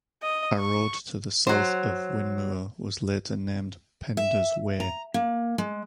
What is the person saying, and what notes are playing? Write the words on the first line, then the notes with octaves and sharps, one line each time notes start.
A road to the south of Whinmoor was later named Penda's Way.
D#5
C#6
F#3 C5
E5
A#5
A#3
G#3